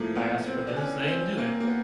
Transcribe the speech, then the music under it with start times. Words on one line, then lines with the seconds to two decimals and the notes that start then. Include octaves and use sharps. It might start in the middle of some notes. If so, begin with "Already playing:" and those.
asked for this, they didn't do it.
Already playing: A2 F3 A3 A#3
0.15 B3
0.46 C4
0.67 D4
0.76 C#4
1.08 C4
1.37 A#3
1.60 A#3
1.67 B3